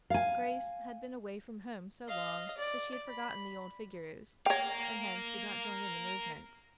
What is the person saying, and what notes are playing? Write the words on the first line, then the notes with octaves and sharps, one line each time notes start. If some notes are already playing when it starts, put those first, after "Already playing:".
Grace had been away from home so long that she had forgotten the old figures, and hence did not join in the movement.
F5 G#5
D#5 F5
D5
B5
A#4 C#5 F5 G5